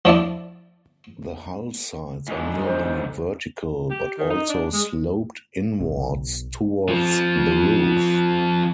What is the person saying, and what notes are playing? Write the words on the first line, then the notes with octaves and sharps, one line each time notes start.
The hull sides are nearly vertical, but also sloped inwards towards the roof.
F3 D4 E4 D5
G#2 D3
C5
G4
D#3
D#4
D4
G#3
B1
F3 C4